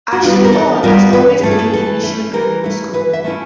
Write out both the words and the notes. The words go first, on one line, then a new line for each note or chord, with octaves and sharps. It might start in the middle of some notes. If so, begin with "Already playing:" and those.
Ashley Hall has always been a mission-driven school.
F#4
G3 B3 D4 F4
G4
A#4
E3 A4
G3 B3 D4 F4 A#4
E3 B4
G#4
A3 C#4 E4 A4
G#4
A4
E3 A4
A3 C#4 E4
E3 A#4
A3 C#4 E4
E3 B4
E5
A3 C#4 E4